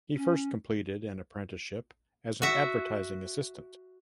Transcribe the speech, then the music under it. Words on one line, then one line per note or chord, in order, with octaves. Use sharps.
He first completed an apprenticeship as an advertising assistant.
C#4
F#4 E5